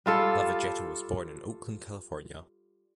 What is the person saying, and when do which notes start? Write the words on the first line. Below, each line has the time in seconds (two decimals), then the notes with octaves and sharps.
Lavagetto was born in Oakland, California.
0.06 G3 F4 A4